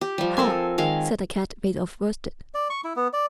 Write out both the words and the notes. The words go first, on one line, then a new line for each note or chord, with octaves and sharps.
"Ha!" said the Cat-made-of-worsted.
G4
F3 G3
C4 A4 A#4 G#5
D#3 G#3 F5
D5
C#6
E4
B3
D5